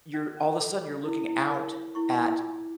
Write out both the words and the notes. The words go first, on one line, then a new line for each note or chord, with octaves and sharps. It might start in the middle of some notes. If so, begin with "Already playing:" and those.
you're all the sudden, you're looking out at
C#4
C#4
A4 D6
C#5 D6
E4
E4
A#4
C#5
E4 C#6
C#6
E4
E6
F4 D6